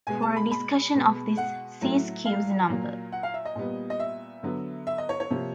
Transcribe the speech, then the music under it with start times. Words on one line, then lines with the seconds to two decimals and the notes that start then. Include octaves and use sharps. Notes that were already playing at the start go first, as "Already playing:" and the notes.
For a discussion of this, see Skewes' number.
0.07 B2 G#3 B3 G#5
0.22 A5
0.37 B5
0.51 B5
0.95 B2 G#3 B3
1.37 F#5
1.81 A2 F#3 A3
2.25 F5
2.69 A#2 F#3 A#3
3.12 F#5
3.23 F5
3.34 E5
3.45 D#5
3.55 A#2 G3 B3
3.90 D#5
4.00 E5
4.43 D3 F#3 B3
4.87 E5
4.98 D#5
5.09 C#5
5.20 C#5
5.31 C3 F3 A#3